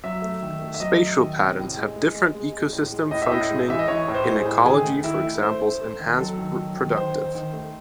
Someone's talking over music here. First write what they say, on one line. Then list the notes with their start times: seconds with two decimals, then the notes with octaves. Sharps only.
Spatial patterns have different ecosystem functioning in ecology for examples enhanced productive.
0.04 F#3 E5
0.22 A3
0.42 D#3
0.62 A3
0.74 E5
0.80 F#3 D#5
0.99 A3
1.19 D#3
1.38 C3
1.58 A2
1.77 G#3
1.96 G#3
2.15 G#3
2.35 G#3
2.53 G#3
2.73 A2
2.92 G#3
3.11 A2 D#5
3.22 E5
3.31 A2 D#5
3.50 G#3
3.68 E3 E5
3.79 D#5
3.88 E3 C#5
4.08 A2
4.14 C5
4.27 G#3
4.40 G#4
4.46 A2
4.65 D#3 G#4
4.84 A3
5.03 D#3 E4
5.23 A3
5.42 A3 C5
5.62 A3
5.81 A3
6.00 D#3
6.19 F#3 A4
6.38 D#3
6.58 F#3
6.77 D#3
6.96 D#3 C5
7.15 D#3
7.35 D#3
7.53 A3